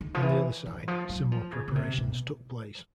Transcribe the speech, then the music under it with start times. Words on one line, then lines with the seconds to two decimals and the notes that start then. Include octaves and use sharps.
On the other side, similar preparations took place.
0.01 D#3
0.14 F3
0.22 E3
0.66 E3
0.88 F3
1.09 F#3
1.32 F3
1.53 C#3
1.68 C#3
1.75 C3
1.98 B2